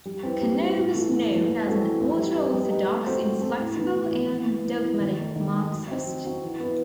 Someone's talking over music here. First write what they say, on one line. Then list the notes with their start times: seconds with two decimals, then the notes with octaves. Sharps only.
Cano was known as an ultra-orthodox, inflexible, and dogmatic Marxist.
0.05 G3
0.23 C4 E4 G4 B4
0.41 G3
0.59 C4 E4 G4 B4
0.76 A2
0.94 E3 A3
1.11 A2
1.30 E3 A3
1.47 E3
1.65 A3 C4 F#4 A4
1.83 E3
2.00 A3 C4 F#4 A4
2.18 G3
2.35 D#4 G4 B4
2.53 G3
2.71 D#4 G4 B4
2.88 A3
3.06 C4 F#4 A4 C5
3.23 A3
3.42 C4 F#4 A4 C5
3.59 A2
3.77 E3 B3
3.95 A2
4.12 E3 B3
4.30 E3
4.47 B3 E4
4.65 E3
4.83 B3 E4
5.00 D#3
5.18 A3 D#4
5.36 D#3
5.53 A3 D#4
5.71 F#3
5.89 C4 D#4 F#4
6.06 F#3
6.25 C4 D#4 F#4
6.42 E3
6.60 B3 E4 B4